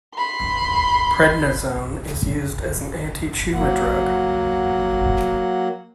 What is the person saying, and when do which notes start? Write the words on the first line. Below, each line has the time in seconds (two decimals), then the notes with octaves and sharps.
Prednisone is used as an antitumor drug.
0.14 B5 C6
3.54 F#3 A#3 F#5